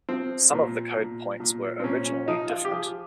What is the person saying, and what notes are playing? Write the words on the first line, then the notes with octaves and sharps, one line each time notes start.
Some of the code points were originally different.
F3 C4
A#2
A#2
A#2
C4
A#2 C#4
C#4
F3 D#4
F4
G4
F3 G#4